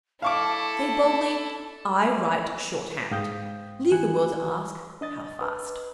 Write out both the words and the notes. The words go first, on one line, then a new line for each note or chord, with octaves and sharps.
Say boldly, "I write shorthand." Leave the world to ask, "How fast?"
E4 A4 F5 A5 C#6 D6
G#2 F5 G5 D#6 G6
E3 G#5 F#6
D4 D#5 A6
B4